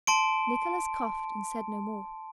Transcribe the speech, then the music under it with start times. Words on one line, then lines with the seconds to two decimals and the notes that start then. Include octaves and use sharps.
Nicholas coughed and said no more.
0.07 A5 C6 D7